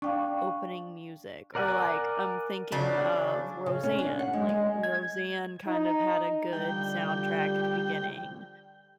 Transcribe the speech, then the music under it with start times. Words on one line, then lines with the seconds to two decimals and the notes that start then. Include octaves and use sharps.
opening music. Or, like, I'm thinking of Roseanne. Like, Roseanne kind of had a good soundtrack at the beginning.
0.02 D4 F5 G5 C#6
1.55 A#4 D5 F#5 G#5
2.72 C#3 F#3 D4
3.66 C#3
3.83 C#4
3.98 D4
4.19 F#5
4.33 G#3
4.49 G#3
4.83 G#6
5.67 D#4
6.53 D3 F3 G3 G5